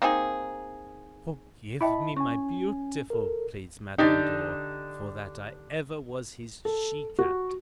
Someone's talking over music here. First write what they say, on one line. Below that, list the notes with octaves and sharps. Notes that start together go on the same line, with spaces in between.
"Forgive me, my beautiful," pleads Madame Dor, "for that I ever was his she-cat!"
A#3 C4 D#4 G#4
E4 D#5 E5 G5 A5 B5
C#4 G#5 C#6
A4 A#4
D3 D4 D#4 G4
A4
F#4